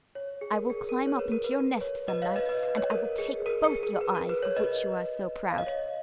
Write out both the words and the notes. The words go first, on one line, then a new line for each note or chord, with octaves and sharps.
I will climb up into your nest some night, and I will take both your eyes of which you are so proud.
C#5
G#4
A#4
G#4
A#4
C#5
B4
A#4
B4
C#5
B4 D#5
C#5 F5
B4 D#5
B4 D#5
B4
C#5
A#4
G#4
A#4
G#4
A#4
B4
A#4
B4
C#5
B4 D#5
F5
D#5
C#5